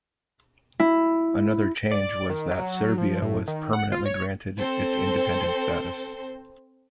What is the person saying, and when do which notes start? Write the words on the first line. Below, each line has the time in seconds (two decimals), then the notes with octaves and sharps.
Another change was that Serbia was permanently granted its independent status.
0.80 E4
1.91 D5
2.30 D#3
2.51 F#3
2.98 F3
3.22 A2
3.48 D#3
3.73 F#5
3.92 F4
4.06 C#5
4.58 C4 A4 C5